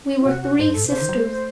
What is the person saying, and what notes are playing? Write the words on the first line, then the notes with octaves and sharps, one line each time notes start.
We were three sisters.
E4
C3 F#4
F#4
G#2 C5
F#2
G#2 A4
C3 C5
C#3
D#3
F#3
G#3
A3